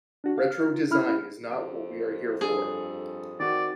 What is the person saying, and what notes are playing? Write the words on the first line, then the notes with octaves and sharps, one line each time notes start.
Retro design is not what we are here for.
D4 F#4
F5
F6
F4
C#4 E4 B5 F6
F2 D7
G2 G#4 A4
D#3 C4 F#4 D5